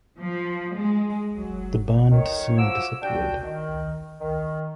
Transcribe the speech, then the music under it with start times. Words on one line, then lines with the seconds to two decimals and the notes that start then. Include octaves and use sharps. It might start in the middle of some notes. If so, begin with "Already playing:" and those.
The band soon disappeared.
0.18 F3
0.75 G#3
1.35 F#3
2.11 D#3 C#5
2.58 F3 F#4 D6 E6
3.02 G3 D4 F#4 G5
3.43 D#3
4.20 D#3